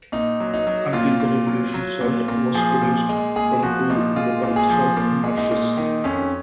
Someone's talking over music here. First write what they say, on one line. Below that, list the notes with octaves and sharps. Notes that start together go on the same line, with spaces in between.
Until the Revolution salt was produced from two local salt marshes.
A#2 D#4
F#3
D#4
F#3
A#2 F4
A#2
F#3
F#3
A#2
A#2
F3 G#4
A#2
G#3
A#2 G#4
F3 F#4
A#2 D#4
G#3 F4
A#2
G#4
F3
A#2
G#3
D#4
A#2
D#3 D#4
F2 C#4